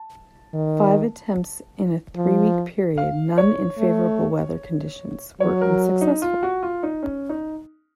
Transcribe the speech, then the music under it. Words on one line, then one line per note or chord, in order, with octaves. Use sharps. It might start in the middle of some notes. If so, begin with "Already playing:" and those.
Five attempts in a three-week period, none in favorable weather conditions, were unsuccessful.
Already playing: A5
D#3
F3
F5
C#5
A3
F#3 C#5
A#4
D#4
F4
F#4
F4
D#4
C#4
D#4